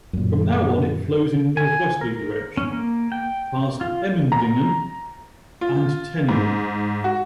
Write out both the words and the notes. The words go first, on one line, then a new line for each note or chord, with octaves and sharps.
From now on it flows in a northwesterly direction, past Emmendingen and Teningen.
F#2 A#2
G#5
A#4
C#4
A#3
G5
F4
A#5
F4
G#2
F#4